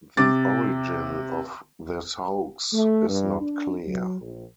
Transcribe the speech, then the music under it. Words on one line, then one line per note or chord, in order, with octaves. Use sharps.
The origin of this hoax is not clear.
C3 D6 A6
A3
G2
D4
F#3
A#1